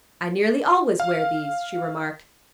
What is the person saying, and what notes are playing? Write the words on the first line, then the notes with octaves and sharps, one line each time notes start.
"I nearly always wear these," she remarked.
F5